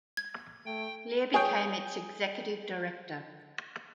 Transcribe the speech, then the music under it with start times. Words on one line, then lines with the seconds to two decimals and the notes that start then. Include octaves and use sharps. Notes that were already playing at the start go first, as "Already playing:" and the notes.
Leahy became its executive director.
0.17 G#6
0.66 A3 G5
1.34 G#4 C#5 G5